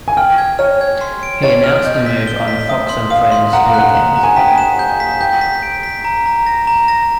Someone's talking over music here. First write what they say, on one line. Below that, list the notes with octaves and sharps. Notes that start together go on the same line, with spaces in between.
He announced the move on "Fox and Friends Weekend".
G#5
G5 F6
G#6
C#5 F6
G#6
C6
D7
C#5 A6
F6
D#5 G6
B6
G7
B6
E5 D#6
C6
F5 D#6
C6
F#5 A#5
F5
F#5 F#6
A#5
A#5
G#5
G5 B6
E7
G6
B6
G5 G6
B6
D7
B6
A#5
A#5
A#6
A#5
A#6